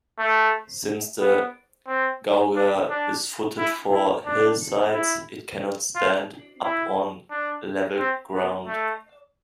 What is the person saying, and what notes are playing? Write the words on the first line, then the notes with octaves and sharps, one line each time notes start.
Since the gouger is footed for hillsides, it cannot stand up on level ground.
A3
B3
C4
D4
D4
E4
E4
D4
E4
F4
E4
D4
C4
B3
A3